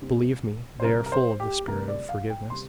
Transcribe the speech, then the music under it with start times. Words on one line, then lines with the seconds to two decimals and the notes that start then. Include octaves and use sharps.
Believe me, they are full of the spirit of forgiveness.
0.01 C3 G3 C4
0.80 C5
0.84 C3 G3 C4 A#4
1.06 A#4
1.12 C5
1.40 G4
1.68 D2 C3 G3 A#4
1.88 D5
2.09 F5
2.30 G5
2.50 C3 G3 C6